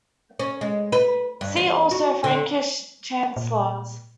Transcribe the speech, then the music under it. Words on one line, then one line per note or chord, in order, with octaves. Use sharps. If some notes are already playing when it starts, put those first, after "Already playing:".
See also Frankish Chancellors.
C#4
G#3
B4
G2
E2
F#4
D3
A#2